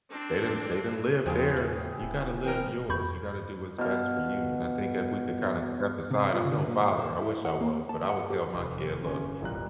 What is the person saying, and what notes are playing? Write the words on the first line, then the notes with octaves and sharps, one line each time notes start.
They didn't they didn't live theirs. You gotta live yours. You gotta do what's best for you, and I think if we could kinda step aside I'm no father. I wish I was, but I would tell my kid, "Look,
C4 D4
E2 F3 E4 G4 G#4 F5 G5
A2
D#1
E3 C4 A#4
F2 F#4 B5 C#6 G6
B2 F5
C3
F4
D3
A#2
C5
E4
F#5
A#3
A5
F#5
G4
F1
G1 C#4
E1 A1 G3 F4 A#4 F#6